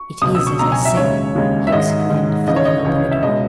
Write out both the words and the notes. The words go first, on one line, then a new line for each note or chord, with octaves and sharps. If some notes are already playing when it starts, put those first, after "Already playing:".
'It is as I said,' he exclaimed, flinging open the door.
Already playing: C#6
C#2 B2 F#3 D#6
E6
C#6
C#2 B2 F#3 A#5
G#5
E5
D#2 C#3 G#3 C#5
D#2 C#3 G#3
E5
G#2 D#3 G#3 D#5
G#2 D#3 G#3
C#2 C#3 E3 D#5
C#5
D#5
C#2 C#3 E3
E5
C#2 B2 G#3 D#5